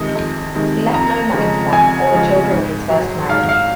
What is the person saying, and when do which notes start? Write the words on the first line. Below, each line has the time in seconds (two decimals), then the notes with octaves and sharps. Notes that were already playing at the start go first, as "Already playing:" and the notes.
He left no money to them or the children of his first marriage.
Already playing: F2 C3 D#3 G#3 D#5
0.15 F2
0.55 C3 D#3 G#3
0.93 F2 A#5
1.33 C#3 F3 G#3
1.72 F2 G#5
2.11 C#3 F3 G#3
2.51 G#2
2.90 F#3
3.29 G#2 F5
3.49 F5